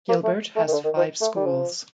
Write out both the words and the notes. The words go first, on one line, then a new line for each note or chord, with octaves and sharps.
Gilbert has five schools.
A#3
A3
A3
D#3
D3
D#3
F3
A3
G3
F3